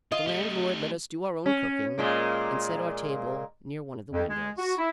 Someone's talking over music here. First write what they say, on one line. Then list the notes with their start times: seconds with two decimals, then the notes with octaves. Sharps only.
The landlord let us do our own cooking and set our table near one of the windows.
0.12 F4 D#5
0.27 A3 G4
1.46 C#4
1.98 A#2 G#3 A#3
4.13 F2
4.27 G#3
4.58 F#4
4.78 E4